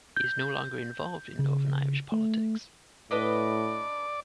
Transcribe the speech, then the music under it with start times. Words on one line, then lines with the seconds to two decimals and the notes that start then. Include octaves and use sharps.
He is no longer involved in Northern Irish politics.
0.17 G6
1.39 C#3
2.12 A3
3.11 A2 D4 B4 D5 D#5